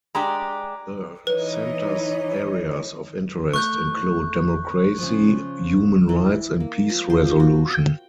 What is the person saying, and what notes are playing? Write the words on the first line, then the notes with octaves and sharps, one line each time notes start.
The center's areas of interest include democracy, human rights and peace resolution.
G#3 D4 G4 A#5
E3 D#4 B4 C#5 D#5
A3 C#6 F#6 G6
C#3 F3
E3
A#3
F3
C5
F4
F#4
G5